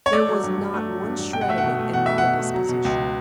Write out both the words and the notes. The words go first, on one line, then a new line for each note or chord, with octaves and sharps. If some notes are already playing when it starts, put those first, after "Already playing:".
There was not one shred of it in my disposition.
C#5
A3 D5
F#3
G2
G2
A3
F#3
G2
G2
B2 G5
F#5
A3 E5
F#5
B2
A3
B2 F#5
A3 E5
F#5
B2
A3
F#3
B2
C#2